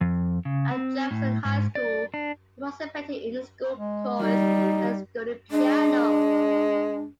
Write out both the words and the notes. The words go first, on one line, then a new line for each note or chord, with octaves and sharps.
At Jefferson High School, he participated in the school chorus and studied piano.
F2
C#3
C4
A2
G#2
D5
D4
G#3
G3 D#4
G#3 D4